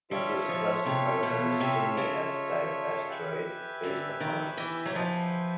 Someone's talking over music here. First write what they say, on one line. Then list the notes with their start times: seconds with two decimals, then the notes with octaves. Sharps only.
It is classified as a stony S-type asteroid based upon its spectrum.
0.11 G3 F4 A4 C#5 E5
0.49 F3
0.86 C3
1.23 B2
1.60 C3
1.97 C#3
3.09 G4 B4 E5 G#5
3.83 D3
4.20 D#3
4.57 E3
4.85 F#3
4.95 F3